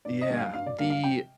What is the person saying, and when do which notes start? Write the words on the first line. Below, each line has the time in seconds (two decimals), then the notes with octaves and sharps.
Yeah, the
0.05 G2 D5
0.21 D#5
0.30 D3 G3 A#3
0.38 F5
0.54 G2 F5
0.66 D5
0.78 D3 G3 A#3 F5
0.90 F5
1.03 C3 G5